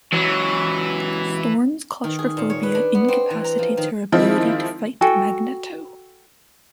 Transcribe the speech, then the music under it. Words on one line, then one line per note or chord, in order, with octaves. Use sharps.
Storm's claustrophobia incapacitates her ability to fight Magneto.
C#2 E3 F#3
D#3
G#4
A#2
C#5
B4
D4
B3
C4
E3
A#5
F3
D#3
D#3 F3 G#3 C4 E4
F#4 A4 G5 G#5